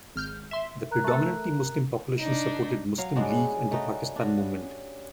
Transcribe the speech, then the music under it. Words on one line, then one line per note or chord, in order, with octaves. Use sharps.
The predominantly Muslim population supported Muslim League and the Pakistan Movement.
G#1 F6 G6
E5 C6
A#4 A#5 F#6
A3 A4
D4 D#4
F#3 C#5 F5
G3 G#3 C#4 D4 F#4 G#4
A3 D#4 F#4
D4 F#4